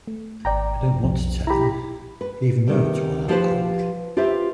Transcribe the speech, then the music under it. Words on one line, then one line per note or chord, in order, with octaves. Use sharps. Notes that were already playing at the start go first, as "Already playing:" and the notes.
I don't want to tell him, even though it's why I called.
A3
G#1 D5 G5 A#5
B1 F2
E4 G4 A#5 B5
B4
C3 D#3 G3
F3 G4 B4 C5
F4 G4 B4 C5 E5